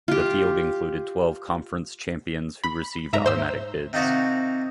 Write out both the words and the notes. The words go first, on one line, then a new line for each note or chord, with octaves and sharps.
The field included twelve conference champions who received automatic bids.
F4 G4
B5
G#2 E5 A#5
C5 E6
C3 D#3 D#4 F4 F#4